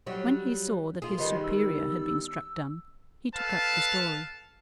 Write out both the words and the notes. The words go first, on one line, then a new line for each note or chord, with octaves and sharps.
When he saw that his superior had been struck dumb, he took up the story.
F#3 G3 F#4
F4 G#4
D#3 G3 B3 G#4 D#5 C6
E6
A4 B4 F5 A5